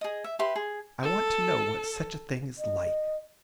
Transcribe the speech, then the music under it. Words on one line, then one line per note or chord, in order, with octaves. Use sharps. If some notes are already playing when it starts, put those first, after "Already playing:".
I want to know what such a thing is like.'
G#4 D#5
E5
G4 B4 E5 C6
G#4
A4
D#5